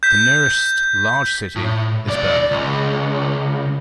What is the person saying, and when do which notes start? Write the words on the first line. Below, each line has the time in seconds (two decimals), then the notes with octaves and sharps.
The nearest large city is Birmingham.
0.03 G6 B6
1.56 A2
2.07 B1 D5
2.51 C#2